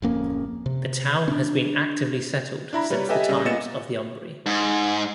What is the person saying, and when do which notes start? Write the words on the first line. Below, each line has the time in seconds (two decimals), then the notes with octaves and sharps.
The town has been actively settled since the times of the Umbri.
0.02 D1 F2 A#3 C#4
0.66 C3
1.28 C#4 D4
2.73 D4 E4 A#5 B5
2.90 G3 B4 C#5
3.09 G4 A4 B4 D#5 E5 G#5
3.29 C#3 G3 E6 A#6
3.45 A#2 B3 D#5 A6 C#7 E7
4.46 G#2